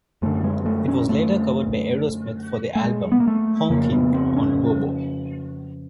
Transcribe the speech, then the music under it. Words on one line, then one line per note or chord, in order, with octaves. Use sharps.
It was later covered by Aerosmith for the album "Honkin' on Bobo".
F#2 D3 A3
G#3
A3
C#4
A3
A3
G#3
B3
A#3
A3
F2 C#3 A#3
B3
C4
C#4